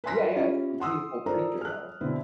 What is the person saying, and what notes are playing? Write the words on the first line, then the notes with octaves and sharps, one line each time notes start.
Yeah, yeah, it's a beautiful creature, though.
B4 E5 G#5 C6 A#6 B6
C#4 E4 F4 G4
F#5 C6 D#6 E6
F4 A4 A#4 C5 D5 A#5
F6 F#6
B2 D3 C4 E4 B4